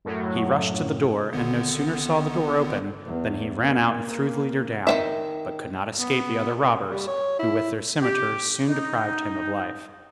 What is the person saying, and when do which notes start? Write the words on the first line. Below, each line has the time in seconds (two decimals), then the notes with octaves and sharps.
He rushed to the door, and no sooner saw the door open, than he ran out and threw the leader down, but could not escape the other robbers, who with their cimeters soon deprived him of life.
0.05 F#2 A2 F#3
1.33 G#1 D3 B3
3.06 E2
3.59 A#3
4.87 D#3 C4 E5
5.99 B3
6.90 G3
7.07 C#5
7.39 E4
8.02 G4
8.69 D#4